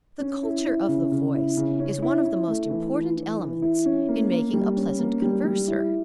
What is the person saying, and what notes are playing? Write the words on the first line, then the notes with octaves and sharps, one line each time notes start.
The culture of the voice is one of the most important elements in making a pleasant converser.
C#4
E4
E4
C#3
C#3
E4
C#3
C#4
E4
E4
A3
E3
E3
E3
E3
E4
C#4
A#3
A#3
G3
C#4
A#3
G3
G3
E4